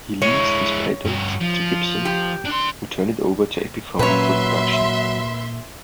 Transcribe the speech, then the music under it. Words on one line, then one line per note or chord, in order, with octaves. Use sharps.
He leased his patent to Gibson, who turned it over to Epiphone for production.
G#3 E4 C#5
G2 F#4
F3
G4
D4 C6
A#2 F#3 A#3 C#4 B4 C#5 E5 C6